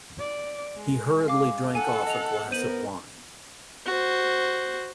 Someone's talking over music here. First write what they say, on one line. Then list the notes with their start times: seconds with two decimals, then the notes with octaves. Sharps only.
He hurriedly drank off a glass of wine.
0.19 D5
0.76 G#3
1.28 F5 D6
1.75 A4 F#5 G#5
2.07 D#5 F7
2.51 B3 A#4 C5 D#7 F#7
3.86 F#4 C5